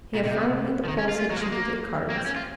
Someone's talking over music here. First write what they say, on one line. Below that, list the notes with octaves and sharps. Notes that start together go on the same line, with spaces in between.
He affirmed that the Poles had cheated at cards.
A#2
C3
F3
D#3
C#4
F4
F4
F#3
A#3
G#3
A#3
A#3
C4
C#4
F4